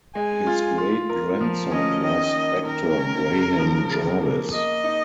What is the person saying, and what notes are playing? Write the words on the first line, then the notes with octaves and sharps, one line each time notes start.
His great-grandson was actor Graham Jarvis.
G#3 G#5
F4
F4
A#4
F3
C#4 D#5
D#3 D#5
A#3
D#3 A#4
C#4
C#3
F3
C#3
A#3
A#3 D#5
D#4